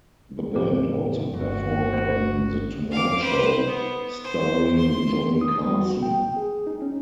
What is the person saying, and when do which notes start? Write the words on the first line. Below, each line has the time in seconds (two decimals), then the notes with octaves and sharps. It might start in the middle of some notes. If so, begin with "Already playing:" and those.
The band also performed on The Tonight Show Starring Johnny Carson.
0.56 A2 C#3 F3 C4 G4
1.33 G1 F#4
1.93 C5
2.92 F5 D6
3.21 B4 C5
3.67 B3
4.24 C5
4.79 C6
5.41 D#6
5.66 G3
5.81 F#4
6.03 G5
6.37 G#4
6.67 D#4
6.82 C#4